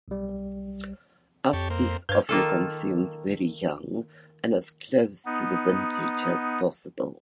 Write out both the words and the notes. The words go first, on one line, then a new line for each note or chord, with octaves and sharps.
Asti is often consumed very young and as close to the vintage as possible.
B1 G3
F2 G4 C#5 A5
A#3 C4
G2 B4 C5 F5
D#3 A#3 F4 A4
B3 D#4